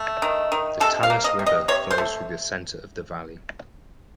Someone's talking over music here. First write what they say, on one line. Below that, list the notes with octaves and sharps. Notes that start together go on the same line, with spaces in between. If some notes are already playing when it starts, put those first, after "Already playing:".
The Talas River flows through the center of the valley.
Already playing: A3
D#3
D#3
C3 A4
F5
A#3
D#5
C3
D#5
C3 C#5
C5
A3